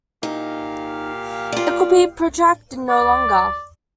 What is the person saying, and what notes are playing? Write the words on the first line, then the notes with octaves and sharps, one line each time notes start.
It could be protracted no longer.
A#2 D#4 G4 F5
F4 D5
D5